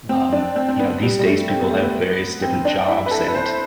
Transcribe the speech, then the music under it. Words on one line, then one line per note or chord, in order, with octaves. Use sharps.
um, you know, these days people have various different jobs and
C4
D4
C4
C4
B3
G3
G3
A3
C4
B3
A3
B3
C4
D4
E4
B4
A4
B4
C5